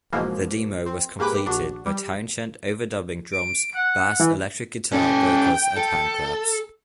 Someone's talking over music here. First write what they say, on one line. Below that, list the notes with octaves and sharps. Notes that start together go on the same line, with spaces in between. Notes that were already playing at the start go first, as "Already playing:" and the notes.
The demo was completed by Townshend overdubbing drums, bass, electric guitar, vocals and handclaps.
B1 G#2 B2 E3 F3 A#3
C4
G#2 A#3 G4 B4 D6 B6
A#1 D4 F#4
G3
D7
F#5
E3
C#4 A4 G5
A4